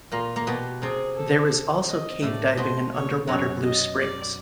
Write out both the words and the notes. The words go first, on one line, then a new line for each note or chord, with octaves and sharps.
There is also cave diving in underwater Blue Springs.
A#2 A#3 F4
A#3
B2 B3 G4
C3 C4 G#4
A4
D#5
A2 A3 D5
B2 B3 C5
C#5
F#2 F#3 C#5
D#5
D5